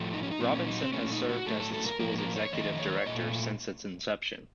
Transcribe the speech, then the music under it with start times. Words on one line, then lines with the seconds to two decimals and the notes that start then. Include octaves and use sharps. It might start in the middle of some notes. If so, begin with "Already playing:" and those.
Robinson has served as the school's Executive Director since its inception.
Already playing: A2 F3 A3
0.13 D#4
0.23 C#4
0.31 D#4
0.40 A#2 F#3 A#3 C4
0.54 C#4
0.67 D#4
0.81 C4
0.93 A#2 A3 C#4
1.12 D#4
1.29 F#4
1.46 A2 F#3 A3 A4
1.60 A4
1.73 A4
1.86 A#4
2.00 A2 F3 A#3 A#4
2.18 A#4
2.36 C#5
2.53 F2 D#3 A3 D#5
2.79 C#5
3.06 A#2 A3 D#5